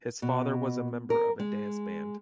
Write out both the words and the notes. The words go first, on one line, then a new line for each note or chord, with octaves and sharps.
His father was a member of a dance band.
B2
A#4
G#3